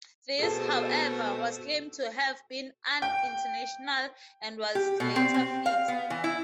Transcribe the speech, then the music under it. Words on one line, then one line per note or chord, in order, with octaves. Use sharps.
This, however, was claimed to have been unintentional, and was later fixed.
B2 A3 C4 G#4 A4
G5
G4
B2
C4
C4
F5
B3
E3
E4